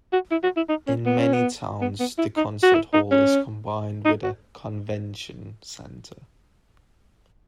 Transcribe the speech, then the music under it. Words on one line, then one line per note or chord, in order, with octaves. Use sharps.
In many towns, the concert hall is combined with a convention center.
F#4
E4
F#4
E4
D#4
C#4
B3
C#4
B3
B3
B3
E4
D#4
F#4
E4
D#4
C#4
D#4
F#4